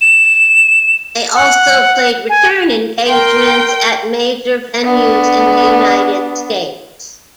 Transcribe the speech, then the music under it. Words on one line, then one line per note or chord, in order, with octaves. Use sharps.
They also played return engagements at major venues in the United States.
E7
F#5
G#5
A#4 G5 C6
B3 D4